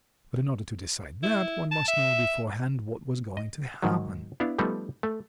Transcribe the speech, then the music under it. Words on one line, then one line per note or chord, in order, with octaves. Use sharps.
But in order to decide that, one must know beforehand what was going to happen.
E4
A5
E5
D#5
G#2 D#3 F#3
B3 D4 E4 F5
F3 G3 A3 B3 D#4
A3